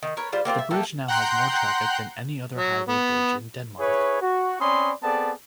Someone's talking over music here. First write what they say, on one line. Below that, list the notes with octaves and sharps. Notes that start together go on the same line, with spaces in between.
The bridge now has more traffic than any other highway bridge in Denmark.
D#3
A#4 B4 C#5
G3 F4 C5
A#3 C4 F4 G4
E5
A3 A#3 G4 A4
F#5 G5 A#5 C6 F#6 G6
F#3
B3
E4 G#4 B4 C#5
F#4
C4 C#4 D5 B5 C6 D#6
B3 C4 G#4 A4 D5 A5